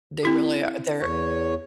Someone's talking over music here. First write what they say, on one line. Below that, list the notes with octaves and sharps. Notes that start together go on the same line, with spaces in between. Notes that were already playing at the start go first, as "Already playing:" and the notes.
They really a they're
C4 E4 G4
E2 C#5